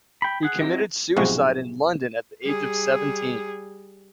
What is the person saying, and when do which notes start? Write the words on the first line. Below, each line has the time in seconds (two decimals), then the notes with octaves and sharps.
He committed suicide in London at the age of seventeen.
0.22 G5 B5
0.43 G#4 F#5
0.60 F#3 C4 E4 G4 D#5
1.17 B1 G#2 C3 F3 G#3 F#4
2.44 G3 G#4